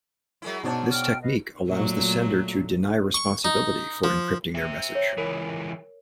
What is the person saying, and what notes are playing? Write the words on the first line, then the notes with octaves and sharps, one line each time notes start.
This technique allows the sender to deny responsibility for encrypting their message.
F#3 G#3 E4 A#4 E5
G#2 B2 D4 D#4 C5 C#5 A5
F#4 G5 F6
B4 D#5 F5
A#2 F#3 A3
C#6
D#4
F3
C5 E5
C#5
C#2 E3 A#4